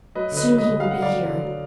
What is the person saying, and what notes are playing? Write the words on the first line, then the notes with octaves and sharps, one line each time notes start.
Soon he will be here.
F#3 B4 D#5
D3
B4 D#5
F#3
B4 D#5
D3
F#3 F5
F#5
D3
D5 F5
F#3
D3
F#3